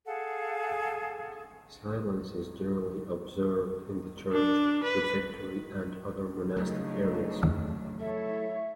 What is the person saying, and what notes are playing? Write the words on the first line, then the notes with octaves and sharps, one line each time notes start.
Silence is generally observed in the church, refectory and other monastic areas.
G#4 A4 F5 F#5
D4
B4
C#3 F#3 G3 A3 D4 D#4
E4 A4 C#5 E5